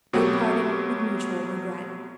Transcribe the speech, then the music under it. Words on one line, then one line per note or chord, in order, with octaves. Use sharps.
They parted with mutual regret.
B2 F#3 A3 C4 F#4 G4